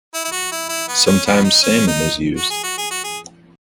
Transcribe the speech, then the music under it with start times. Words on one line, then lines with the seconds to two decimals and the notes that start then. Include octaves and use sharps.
Sometimes salmon is used.
0.14 E4
0.24 E4
0.32 F#4
0.51 E4
0.69 E4
0.88 B3
1.06 C#4
1.25 B3
1.44 D#4
1.62 C#4
1.87 D#4
2.37 F#4
2.50 G#4
2.63 F#4
2.78 G#4
2.90 F#4
3.04 G#4